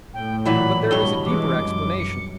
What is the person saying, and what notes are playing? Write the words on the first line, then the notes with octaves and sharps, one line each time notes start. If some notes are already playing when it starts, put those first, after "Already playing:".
But there is a deeper explanation.
A2 G5
A#2 E3 F#3 B5
G2 B2 C#5 G7
E3 G#3 D6
F#2
C#7